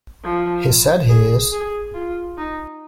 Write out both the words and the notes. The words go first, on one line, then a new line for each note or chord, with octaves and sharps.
He said he is.
F3
G#4
G#4
F4
D#4